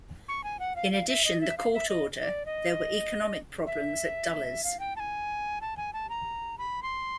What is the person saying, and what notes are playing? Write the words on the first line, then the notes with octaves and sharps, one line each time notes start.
In addition the court order, there were economic problems at Dulles.
C#6
G#5
F#5
F5
F5
E5
D#5
E5
F5
E5
D#5
D5
D#5
E5
F5
G5
A5
G#5
A5
G#5
A5
A#5
B5
C6